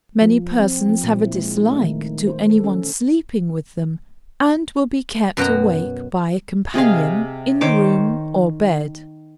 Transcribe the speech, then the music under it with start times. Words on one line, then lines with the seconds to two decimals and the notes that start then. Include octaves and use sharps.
Many persons have a dislike to any one sleeping with them, and will be kept awake by a companion in the room or bed.
0.21 F3
0.59 C4
0.89 F3
1.04 A#2
1.24 E4
1.36 G#3
1.57 D#4
1.70 A3
1.82 D#3
2.27 C5
2.50 A4
2.64 C#4
5.37 F#2 B2 F#4 G5 A#5
6.74 C3 G#4 D#5 F5
7.61 D#3 C5 C#5 D6